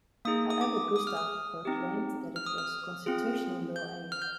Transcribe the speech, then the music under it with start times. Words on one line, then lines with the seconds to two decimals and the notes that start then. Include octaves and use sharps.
However Gustav proclaimed that it was constitutional law anyway.
0.25 A#3 D#4 G#4 D#6
0.50 D#6
0.61 D6
0.96 D#6
1.07 F6
1.17 D#6
1.65 C4 D#4 G4
2.36 F6
2.46 D#6
2.58 F6
3.06 C4 F4 G#4
3.76 G6
4.12 F6
4.22 G6